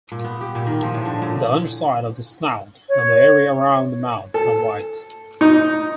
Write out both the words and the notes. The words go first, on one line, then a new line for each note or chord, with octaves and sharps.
The underside of the snout and the area around the mouth are white.
A#2
B3
G4
A#2
D#3
F3
A2
D3
A#2
C#5
A4
D#4